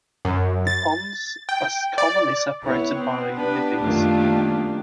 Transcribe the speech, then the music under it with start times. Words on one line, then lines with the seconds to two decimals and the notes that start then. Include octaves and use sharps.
The ponds are commonly separated by levees.
0.25 F#2
0.67 A6
1.49 G5
1.98 D5
2.63 B3 E4 C#5
2.94 C4
3.37 D4 G4 B4
3.79 F#2 D#3 A3 A#3 F4